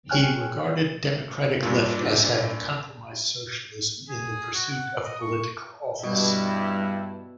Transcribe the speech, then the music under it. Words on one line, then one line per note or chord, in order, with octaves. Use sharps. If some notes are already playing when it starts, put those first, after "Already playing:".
He regarded Democratic Left as having compromised socialism in the pursuit of political office.
G#4 C#5 G5 G#5 F6 F#6
G2 A#2 D4
G#4
F#4
F#5
D#5
C#6
G2 B2 G3 E4